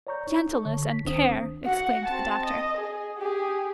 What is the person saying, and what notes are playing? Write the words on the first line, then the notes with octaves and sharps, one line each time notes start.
'Gentleness and care,' exclaimed the doctor.
C#5 D5 A#5 C#6 G6
D#4
A4 C#5 A5 C#6
D3
B6
C#2 D#3 C4 D4 C5 D#6
F#4 F#5
C4 A5
D#5
G#4
G4 G#4